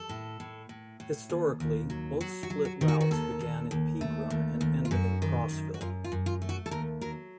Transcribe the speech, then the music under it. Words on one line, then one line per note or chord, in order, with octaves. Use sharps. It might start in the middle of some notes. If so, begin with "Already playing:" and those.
Historically, both split routes began in Pegram and ended in Crossville.
Already playing: A4
A2
A2
A2
A2
D#2
D#2
F#3
F#3 F#4
F#4
F#3
F#4
D#3
F#4
F#4
D#2 A4
D#2
D#2
A3
D#2
D#2
F4
F#2 F#4
D#3
F#2
F#4
F#2 F4
F4
F#2
F4
A3
F#4
A4
D#2 A#4
F#3 A#4